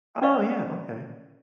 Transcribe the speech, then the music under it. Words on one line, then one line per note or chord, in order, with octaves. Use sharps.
Oh, yeah. Okay.
C#4 B4 D5 D#5 F5 C#6